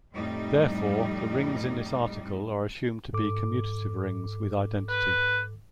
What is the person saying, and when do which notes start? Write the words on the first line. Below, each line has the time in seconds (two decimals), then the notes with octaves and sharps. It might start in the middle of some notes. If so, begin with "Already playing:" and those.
Therefore, the rings in this article are assumed to be commutative rings with identity.
0.13 F2 A2 G3 D#4
3.13 G#2 A4 D6
4.90 B4